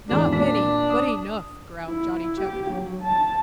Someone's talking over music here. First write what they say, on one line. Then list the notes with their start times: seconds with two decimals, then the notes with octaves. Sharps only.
"Not many, but enough," growled Johnny Chuck.
0.09 G#1 E2 D4 F#4
0.33 A#2 D4 B6
0.90 D#6
1.87 E4
2.38 G4
2.70 F#3
3.02 A5